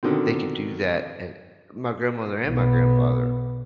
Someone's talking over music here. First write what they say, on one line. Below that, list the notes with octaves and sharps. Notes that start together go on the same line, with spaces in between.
they could do that, and my grandmother and my grandfather,
B2 D3 D#3 C4
B1 B3